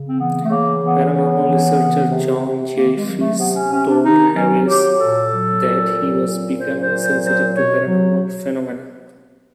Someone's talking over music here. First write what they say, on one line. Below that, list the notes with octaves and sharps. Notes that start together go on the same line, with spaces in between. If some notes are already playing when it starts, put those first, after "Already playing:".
Paranormal researcher John Zaffis told Hawes that he was becoming sensitive to paranormal phenomena.
Already playing: C#3
C4
E3 B3
A3
C#3 A#3
E3 B3
C#3 B3
E3
C#3
C3
C3
D#3 A#3
G#3
F#3
A3
C3 B3
C#4
C3 C#4
D4
D#3 D#4
F#3 C#4
F#3 G4
A#2 A4
F#3
A#2
F#3
A#2
F#3 C5
C5
A#2
C5
F#3 C5
B2 C#5
F#3